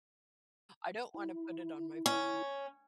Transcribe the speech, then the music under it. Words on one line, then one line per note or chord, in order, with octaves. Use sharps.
"I don't want to put it on my phone."
E4
C#4